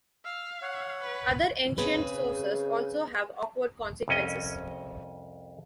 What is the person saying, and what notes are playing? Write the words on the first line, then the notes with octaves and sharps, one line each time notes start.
Other ancient sources also have awkward consequences.
F5 E6 F6
C#5 F#5
B4
C#3 C4 G#4 B4
C2 F2 C#4 D#5